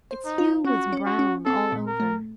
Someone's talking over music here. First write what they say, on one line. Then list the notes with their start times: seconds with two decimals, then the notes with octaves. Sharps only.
Its hue was brown, all over.
0.11 C5
0.25 D#4
0.38 F4
0.65 C#4 F#4
0.93 C#4
1.06 F#4
1.19 C#4
1.45 C4 A4
1.72 A#2
1.87 A#4
2.00 A3